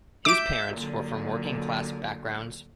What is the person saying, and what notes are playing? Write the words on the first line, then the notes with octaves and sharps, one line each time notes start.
His parents were from working class backgrounds.
E5 D6 G6 D7
A#2 D3 F#3